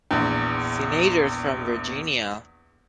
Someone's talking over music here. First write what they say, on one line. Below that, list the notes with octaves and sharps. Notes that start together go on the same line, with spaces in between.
Senators from Virginia.
A#1 E2